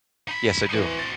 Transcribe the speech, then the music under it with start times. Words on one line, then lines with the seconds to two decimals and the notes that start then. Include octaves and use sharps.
Yes, I do.
0.28 D#4 B5
0.74 E3 C4 F#4
0.99 A6